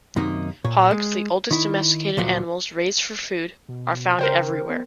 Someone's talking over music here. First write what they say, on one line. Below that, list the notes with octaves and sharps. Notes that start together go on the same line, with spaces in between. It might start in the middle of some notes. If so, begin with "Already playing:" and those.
Hogs, the oldest domesticated animals raised for food, are found everywhere.
F#2 C3 D#3 A#3 D#4
A#2 C#5
G#3
D#3 E4
D2 A#2 F3 F#3
B2
C#3 A#4 C5 G5
B3